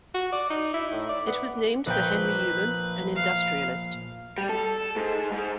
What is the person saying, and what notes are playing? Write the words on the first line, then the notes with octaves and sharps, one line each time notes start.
It was named for Henry Ulen, an industrialist.
F#4
D5
D#4
E4
A2
D5
B3
A#1 B4 G5
F5
G3
A4
G#2
G#2